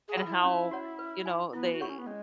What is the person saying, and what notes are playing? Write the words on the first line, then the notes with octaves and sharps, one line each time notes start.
and how, you know, they
G#4
B4 F#5 B5
E4
C#4
F#4 C#5 F#5
B4
G#5 B5
B3 E4
F#4
E4 C#5 F#5 C#6
C#4
B3
G#3 C#4